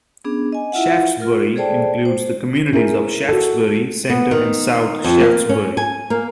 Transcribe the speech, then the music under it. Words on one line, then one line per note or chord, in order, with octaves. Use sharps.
Shaftsbury includes the communities of Shaftsbury Center and South Shaftsbury.
B3 C#4 D4 G#4
D#5 G#5
E4 F4 E5 F#5
F4 A#4
G#4 A4 C5 D5 G5 A5
C5
C#4 E4 G#4 A#4
F#4 A4
B3
D#3
F2
A#3
C#4
G#5
A#3